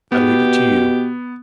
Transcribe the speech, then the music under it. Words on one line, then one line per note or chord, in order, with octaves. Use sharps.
I leave it to you.
B2 B3 G4